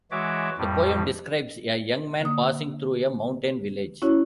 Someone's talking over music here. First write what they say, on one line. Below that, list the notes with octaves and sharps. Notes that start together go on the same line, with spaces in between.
The poem describes a young man passing through a mountain village.
E3 G#3 F#4 C#5 E5 D6
F2 A2 G3
D3 A#3 D#6
C#4 E4 F#4 C#5